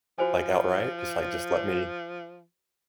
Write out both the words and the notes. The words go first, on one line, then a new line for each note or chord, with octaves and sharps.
Like, outright. Just, like, just let me
F3 F#4 C5 G#5